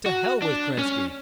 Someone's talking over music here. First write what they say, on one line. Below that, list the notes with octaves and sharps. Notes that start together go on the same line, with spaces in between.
To hell with Kerensky!
F#4
D4
C#4